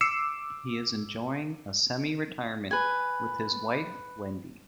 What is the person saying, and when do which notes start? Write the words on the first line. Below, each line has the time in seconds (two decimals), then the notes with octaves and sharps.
He is enjoying a semi-retirement with his wife, Wendi.
0.01 D6 E6 C7 C#7 E7
2.71 B4 G#5